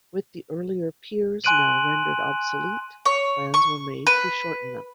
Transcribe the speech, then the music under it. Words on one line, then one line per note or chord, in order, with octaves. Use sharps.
With the earlier piers now rendered obsolete, plans were made to shorten them.
G#5 C6 F#6 D7 D#7 F#7
C#5
C#6
B4